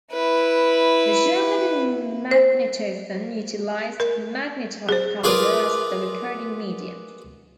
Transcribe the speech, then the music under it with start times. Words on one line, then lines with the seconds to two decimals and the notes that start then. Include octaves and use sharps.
The German magnetophon utilized magnetite powder as the recording medium.
0.12 E4 B4
2.31 C5
4.00 A#4
4.89 G#4 C5
5.24 F4 G#4 A#4 B4 D5